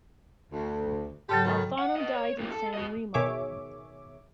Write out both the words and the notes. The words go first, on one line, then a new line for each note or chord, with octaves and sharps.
Alfano died in San Remo.
D2
G#2 C#3 F#3 G4 A4
B2 D#3 A4
F#5
B4 D#5
C#5
F2 A#3
A4
F#4 D#5
B2 D#3 G#4 C#5 E5 D6